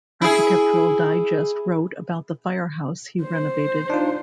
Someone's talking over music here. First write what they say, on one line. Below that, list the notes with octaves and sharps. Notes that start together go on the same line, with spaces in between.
Architectural Digest wrote about the firehouse he renovated.
E4 G#4
C5
D4 D#4 F4